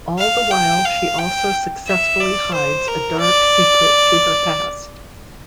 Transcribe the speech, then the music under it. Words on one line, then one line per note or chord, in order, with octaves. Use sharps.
All the while she also successfully hides a dark secret to her past.
F5
G5
F5
G5
E5
D5
C5
A#4
D5